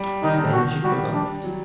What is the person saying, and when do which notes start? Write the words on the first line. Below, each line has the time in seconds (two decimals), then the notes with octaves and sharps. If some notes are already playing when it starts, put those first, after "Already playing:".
Then she forgot it.
Already playing: G3
0.23 D#3 D#4
0.38 D3
0.53 D#3 F#4
0.83 G3 F#4
1.13 D4
1.43 F#3